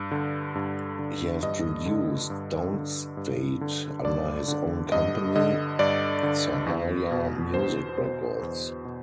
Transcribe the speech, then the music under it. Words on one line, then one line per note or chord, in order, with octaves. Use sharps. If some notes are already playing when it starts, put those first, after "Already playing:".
He has produced Downstait under his own company, Sahaja Music Records.
Already playing: G2
D3
G2
D3
G2 D#5
D3
G2
D3
G2
D3
G2 D5
D3
G2 D#5
D3 D#5
G2 D5
D3
E2
B2
E2 C5
B2 C5
E2
B2